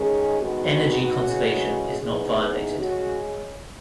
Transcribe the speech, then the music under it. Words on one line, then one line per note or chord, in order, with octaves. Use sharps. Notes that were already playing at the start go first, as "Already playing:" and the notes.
Energy conservation is not violated.
Already playing: D#3 G#3 C#4 G#4
D#3 G#3 B3 F#4
C#3 E3 G#3 C#4
E3 B3 D#4 G#4
C#3 G#3 C#4 F#4